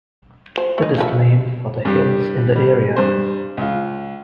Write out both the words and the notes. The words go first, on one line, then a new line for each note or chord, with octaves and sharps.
It is named for the hills in the area.
C5
A3 D#4
F3 B4 E5
G2 G4
G3
G2 C5
C#2 F4